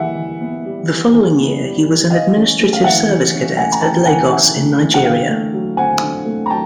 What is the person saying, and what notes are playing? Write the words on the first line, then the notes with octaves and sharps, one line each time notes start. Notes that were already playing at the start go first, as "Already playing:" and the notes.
The following year he was an administrative service cadet at Lagos in Nigeria.
Already playing: E3 G3 E5 F#5
E3
B3
G3
E3
E3
B3
G3
E3
E3 D#5 F5
C#4
A3
F5
E3 E5 F#5
E3
C#4
A3 F#5 G#5
A#5
E3 G5 A5
G5
E3 F#5 G#5
C#4 E5 F#5
A3
E3
F#5
D3 F5 G5
A3
F#3
C4 F#5 G#5
D3
A3
A#5
F#3 G5 A5